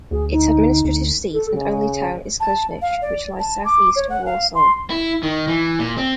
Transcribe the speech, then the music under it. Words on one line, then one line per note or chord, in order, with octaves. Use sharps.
Its administrative seat and only town is Kozienice, which lies south-east of Warsaw.
D2 G#4
D#4
D2
A4
C#3
A5
F5
D5
A5
D6
C#5
F#5
F5
C6
E4
D#3
E3
A#2
C4